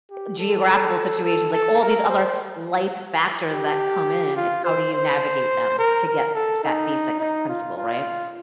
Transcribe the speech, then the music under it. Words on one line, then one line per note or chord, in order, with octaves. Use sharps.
geographical situations, like all these other life factors that come in, it's how do you navigate them to get g that basic principle, right?
G4
A4
A4
A4
A#4
C5
G4
F4
C5
C5
A#4
A#4
A4
D#4
D#4
F4
F4